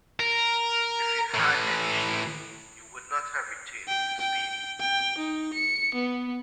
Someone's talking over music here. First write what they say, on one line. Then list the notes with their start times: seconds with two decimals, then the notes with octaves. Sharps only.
If you had any shame you would not have returned to Spain.
0.20 A#4
1.34 A2 E3
3.88 G5
4.20 G5
4.80 G5
5.18 D#4
5.54 C#7
5.95 B3